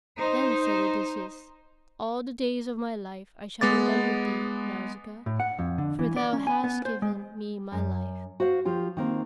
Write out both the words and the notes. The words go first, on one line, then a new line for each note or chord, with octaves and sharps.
Then said Odysseus: "All the days of my life I shall remember thee, Nausicaa, for thou hast given me my life."
D#4 C5
G#3 B3 D6 A6
A2
F#5
F2
D3
E3
D5
C#4
G#5
B3
C5
G#3
F#2
F#4 C5 F5 F#5
F3 F4 G4
D#3 A#3 C4